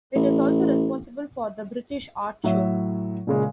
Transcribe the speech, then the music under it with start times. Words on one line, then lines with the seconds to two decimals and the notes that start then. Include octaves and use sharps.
It is also responsible for the British Art Show.
0.15 A1
2.44 A2 F#3 C#5 E5
3.27 A#2 C#3 G#3